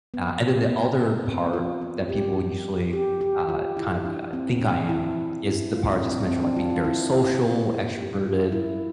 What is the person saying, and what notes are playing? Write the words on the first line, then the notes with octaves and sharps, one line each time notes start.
Uh, and then the other part that people usually, uh, kind of, uh, think I am, is the part I just mentioned, like, being very social, extroverted,
B3
B3
C4
F4
F4
G4
G4
G4
F4
E4
D4
C4
D4
E4
E4
F4
C4
D4
C4
D4
F4
F4
E4
G4
F4
E4